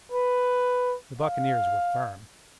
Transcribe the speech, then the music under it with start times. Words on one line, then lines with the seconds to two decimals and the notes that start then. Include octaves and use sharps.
The buccaneers were firm.
0.12 B4
1.20 F5